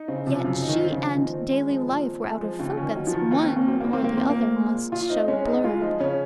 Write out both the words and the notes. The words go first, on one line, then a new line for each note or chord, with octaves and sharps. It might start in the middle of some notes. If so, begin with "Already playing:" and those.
Yet she and daily life were out of focus: one or the other must show blurred.
Already playing: D#4
C#3 C4
C3 F3
F#2 C#3
D#4
D#3
C4
C#3
F3
A#2 D#3
C4
G#3
F3
A#2
C4
G#3
F3
D#2 C#3
C#4
D#3
F#3
F3
D#3
D#2 A#3
C4
C#4
A#3
F#3 C4
D#3 A#3
C4
A#2 A#3
A#2 C4
A#3
C4
G#3
A#2
A#2 F4
C4 D#4
G#3 C#4
C#2 D#4
G#3 F4
F3 D#4
C#3 C#4